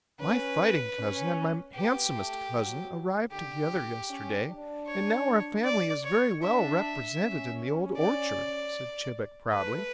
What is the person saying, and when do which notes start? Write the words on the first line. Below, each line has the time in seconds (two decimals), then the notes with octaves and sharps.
"My fighting cousin and my handsomest cousin arrived together yesterday, and now our family is very well represented in the Old Orchard," said Chebec proudly.
0.20 C#4 B4
0.99 C#4
1.75 B3 G4
2.15 A3
2.53 F#3
3.31 D3 G4
4.10 C#4
4.47 D4
4.87 C#5
5.64 D5
6.04 C#5
6.42 D4 E5
7.20 C#4
7.97 D5
9.53 A3 B4